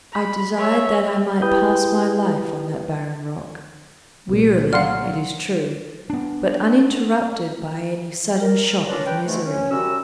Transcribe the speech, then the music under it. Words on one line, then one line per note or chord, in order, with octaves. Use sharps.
I desired that I might pass my life on that barren rock, wearily, it is true, but uninterrupted by any sudden shock of misery.
B5
C#5 E5
E4 G4 B4 G5 D#6 G6
C2 A#2
F#3 D5 F5 F#5 C6 F6
B3 D4
A#4
C#4 D4 F4 A#4 B4 D5
B4 G5
G#2 D3 A3
C#4
F#2 G3 C#4 F#4 E6